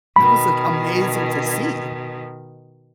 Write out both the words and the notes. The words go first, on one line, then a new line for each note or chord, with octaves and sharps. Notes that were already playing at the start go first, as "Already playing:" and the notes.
That was, like, amazing to see.
B2 D#3 B5